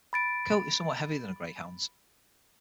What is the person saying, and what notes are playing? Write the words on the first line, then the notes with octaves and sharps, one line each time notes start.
The coat is somewhat heavier than a Greyhound's.
B5 A6 D7